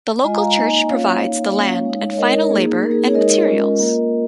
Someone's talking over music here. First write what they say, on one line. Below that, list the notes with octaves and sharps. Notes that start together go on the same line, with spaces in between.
The local church provides the land and final labor and materials.
G#3 F4 D#5 G#5
F5 A#5
A#5
A#3 D#4 D#5 G#5
A#3 C#4 F4 C#5 F5
A#3 D#4
A#3 C#4 F4
G#3 D#4
C#5
G#3 D#4 A#4 D#5
A#4
A#3 D#4 G#4
A#3 D#4 A#4
G#4
A#4
G#4 C#5
G#3 D#4 A#4 D#5
G#3 C#4 F4
A#3 F4